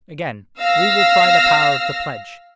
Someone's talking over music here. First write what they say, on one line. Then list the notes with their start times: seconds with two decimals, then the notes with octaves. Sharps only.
Again: we will try the power of the pledge.
0.59 F5 E6 F6 A#6